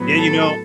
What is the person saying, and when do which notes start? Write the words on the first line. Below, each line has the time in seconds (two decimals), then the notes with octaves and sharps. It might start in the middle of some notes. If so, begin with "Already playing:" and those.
Yeah, you know,
Already playing: A2 F#3 B3
0.18 A4